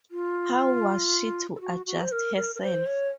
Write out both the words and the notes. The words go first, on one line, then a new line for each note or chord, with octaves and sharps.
How was she to adjust herself?
F4
A4
F#4
F#4
C5
A#4
A#4
A#4
C5
C#5